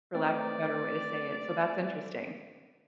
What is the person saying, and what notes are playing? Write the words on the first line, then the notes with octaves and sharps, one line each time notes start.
for lack of a better way to say it, so that's interesting.
A3 C4 B4 D5